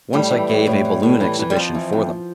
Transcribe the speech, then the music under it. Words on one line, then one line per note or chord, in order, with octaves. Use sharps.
Once I gave a balloon exhibition for them.
A2 G3
E3
A2
A2
E3
A2
E3
E3
G3
F2 F3
E3
F2